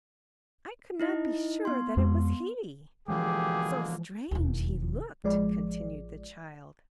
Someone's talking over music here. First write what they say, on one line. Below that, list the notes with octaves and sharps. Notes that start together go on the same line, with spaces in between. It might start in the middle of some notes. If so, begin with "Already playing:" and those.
"I could not be sure that it was he--so strange he looked," continued the child.
D#4 E4 D#5
B3 C6
F2 G#3
B2 D3 E3 F3 G#3 A#3 G4 G#4
E1 D#2
A1 F3 G#3 D5